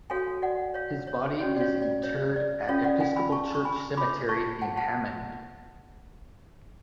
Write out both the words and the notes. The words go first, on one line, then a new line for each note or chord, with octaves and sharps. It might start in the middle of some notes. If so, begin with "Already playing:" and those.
His body is interred at Episcopal Church Cemetery in Hammond.
F#4 A4 C#5 F5 G#5
D5 F#5
C#5 F5
C#5
C#4 F#4 C#5 D5
D5
C#5 F5
D5
C#5
D5
C#4 F4 A4 C#5 F5
D5 F#5
F5 G#5
G#5 B5
A5 C#6
C#6
G#5 B5
F4 A4 C#5 B5 D6
A5 C#6
F#5 A5
F#5 A5